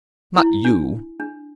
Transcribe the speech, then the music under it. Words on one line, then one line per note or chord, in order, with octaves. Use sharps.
Not you!
E4
D4
D4